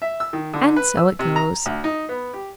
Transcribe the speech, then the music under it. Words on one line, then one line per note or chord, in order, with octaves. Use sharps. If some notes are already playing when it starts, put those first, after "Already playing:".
And so it goes.
E5
E6
D#3
D3
B4
E6
C3
A#5
D2
D#4
B3
G4